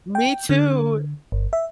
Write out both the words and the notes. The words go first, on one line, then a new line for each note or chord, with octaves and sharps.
Me too.
G5
D3
G1
E5